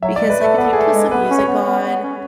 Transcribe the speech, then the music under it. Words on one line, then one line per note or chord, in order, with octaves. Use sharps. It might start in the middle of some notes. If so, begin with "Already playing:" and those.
Because, like, if you put some music on,
F#3 E5
D5
G#3
B4
A3 A4
B3 B4
A4
G#4
A3 A4
G#3
A4
B3 B4
C#4
C#5
B3
B3
B3
C#4